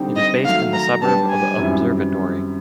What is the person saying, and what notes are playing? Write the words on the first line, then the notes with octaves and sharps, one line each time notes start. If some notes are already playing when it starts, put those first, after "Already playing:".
It is based in the suburb of Observatory.
Already playing: D3 G3 C4 D#4 G4
D#5
D#3 F#3 A3 F5
A#5
G3 B3 D4 G4 B4 A5
G#5
F#2 D#3 G3 C4 E4